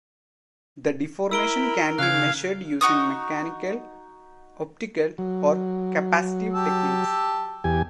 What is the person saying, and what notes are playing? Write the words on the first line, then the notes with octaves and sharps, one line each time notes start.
The deformation can be measured using mechanical, optical or capacitive techniques.
E4 A#4 B5 E6 D7 G7
C#3 F5 F#6 G#6
D#4 F#4 C#6 D#6
F#3
G4 A5 E6
E2 G4 G#5